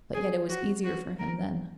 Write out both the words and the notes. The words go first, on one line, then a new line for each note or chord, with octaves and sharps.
But yet it was easier for him then.
G#4
F#4
F#4
A#4